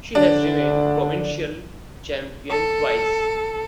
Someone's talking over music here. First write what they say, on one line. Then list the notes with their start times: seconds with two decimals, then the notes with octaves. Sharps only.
She has remained provincial champion twice.
0.15 D3 D4
2.50 A4